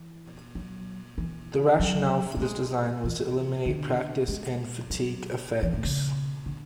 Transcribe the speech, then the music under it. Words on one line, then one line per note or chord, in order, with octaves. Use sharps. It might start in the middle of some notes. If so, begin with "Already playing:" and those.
The rationale for this design was to eliminate practice and fatigue effects.
Already playing: E3
F#3
E3
F#3
A3
G#3
E3
D3
G#3
F#3
E3
A2
C#3
D3